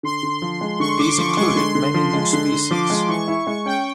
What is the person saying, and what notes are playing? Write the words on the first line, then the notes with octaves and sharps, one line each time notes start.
These included many new species.
D3 C6
D3
F3
G#3
D3 C#6
D3 D6
F3 C#6
G#3 C#6
D3 C6
D3
F3
G#3
D3 C6
D3
F3 D6
G#3
E3 C#6
E4
G#3 C#6
C#4 G5